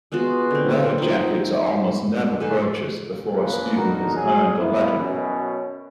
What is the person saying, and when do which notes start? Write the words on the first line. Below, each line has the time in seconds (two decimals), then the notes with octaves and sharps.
Letter jackets are almost never purchased before a student has earned a letter.
0.12 G#3 B3 F4 F#4
0.51 D3 C4
0.98 F3 D#4
2.40 D#4 G#4 A4 B4
3.36 A#2 C#3 F3 A#3 B4
3.75 D3 D#4 F#4 A#4
4.15 F#3 G#4
4.57 A#2 B3 E4
4.99 F#2 B2 C#4